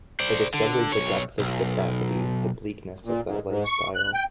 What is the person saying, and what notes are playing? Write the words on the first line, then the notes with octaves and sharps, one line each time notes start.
I discovered the depth of depravity, the bleakness of that lifestyle.
C5 D5
D3
B1 C#5
B1
A#2
G#2
G#2
C#6
F#6
G5